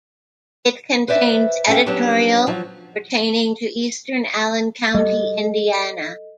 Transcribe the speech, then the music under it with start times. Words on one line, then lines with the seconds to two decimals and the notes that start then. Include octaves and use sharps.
It contains editorial pertaining to Eastern Allen County, Indiana.
1.08 B4 C5 D5 E5
1.67 G3 C#4 A4 F5 G5
1.86 F#3 G3 B3 C#4 D4 G4
2.47 F3 F#3
4.94 G3 A4 D#5